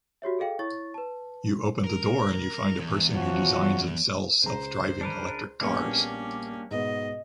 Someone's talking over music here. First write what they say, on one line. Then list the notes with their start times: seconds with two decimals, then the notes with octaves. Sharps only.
You open the door and you find a person who designs and sells self-driving electric cars.
0.22 F#4 G4 C#5 E5
0.39 G#4 A4 D#5 F5 G5
0.59 E4 C#5 C#6 A6
0.94 B4 A5
1.84 A#4
2.79 E2
3.15 F3 F#3 F#4
4.43 C#2 C5 A#5
5.01 D4 A#4 B4
5.61 A#1 G3 A#3 B3 C#4 D4 C#7
6.71 G#2 B2 B3 D#5